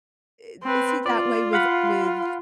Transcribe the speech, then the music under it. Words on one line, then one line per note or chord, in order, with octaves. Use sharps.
i is he that way with with
C4 B4
F4 D5
F5 F#5 B5